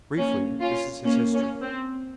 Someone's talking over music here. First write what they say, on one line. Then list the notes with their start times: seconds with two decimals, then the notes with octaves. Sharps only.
Briefly, this is his history.
0.17 A#3 C#4
0.61 C#4 F4
1.04 A#3 C#4
1.33 A#3 C#4
1.63 C4